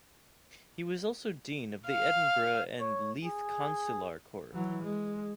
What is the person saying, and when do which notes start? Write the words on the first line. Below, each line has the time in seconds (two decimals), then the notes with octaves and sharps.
He was also Dean of the Edinburgh and Leith Consular Corps.
1.88 F5
2.80 C#5
3.25 G#4
4.53 E3 F#3
4.83 G#3